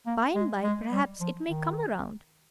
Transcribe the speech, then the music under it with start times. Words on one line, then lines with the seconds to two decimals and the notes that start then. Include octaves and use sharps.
By-and-by, perhaps, it may come round.
0.06 A#3
0.35 G#3
0.64 G#3
0.92 G3
1.21 F3
1.49 D#3